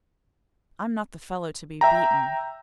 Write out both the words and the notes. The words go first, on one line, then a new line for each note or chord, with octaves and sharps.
I'm not the fellow to be beaten.
E5 G5 A#5